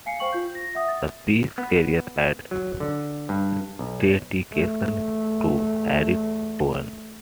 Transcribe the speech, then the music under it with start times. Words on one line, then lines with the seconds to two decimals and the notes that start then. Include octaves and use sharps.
The piece carries a dedication to Harriet Cohen.
0.06 F5 G#5 C7 C#7
0.20 C5 F5 G5 C#6 F#7
0.32 F4 G6
0.55 A#6
0.75 E5 F#5 D#6
0.88 A6
1.58 B3
2.51 F#3
2.80 D3
3.29 G2
3.79 B1
4.53 E2 A3